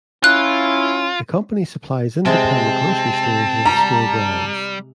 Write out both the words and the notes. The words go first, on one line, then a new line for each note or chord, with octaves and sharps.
The company supplies independent grocery stores with store brands.
C#4 E4 F4 F#6
C3 G#3 C4 A5
G3 A#5